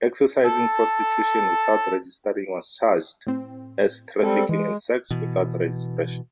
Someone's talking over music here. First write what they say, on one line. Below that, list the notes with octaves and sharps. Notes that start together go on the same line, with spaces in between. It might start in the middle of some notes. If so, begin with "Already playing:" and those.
Exercising prostitution without registering was charged as "trafficking in sex" without registration.
A5 E6
A2 C4
G3 G#3 C4 A4
E3 G#3
B2 E3